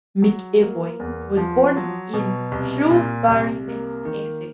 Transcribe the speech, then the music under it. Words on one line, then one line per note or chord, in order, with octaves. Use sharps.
McEvoy was born in Shoeburyness, Essex.
F#3
A#3
E2
F3
F#3
B2
C2
A#2
C2
A#3
D#3